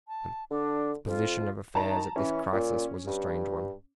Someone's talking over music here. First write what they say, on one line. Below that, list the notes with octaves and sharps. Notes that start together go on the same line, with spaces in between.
The position of affairs at this crisis was a strange one.
A5
D3 D4
F2 F4
D#3 A5 A#5
E3 C#4
A#2
G2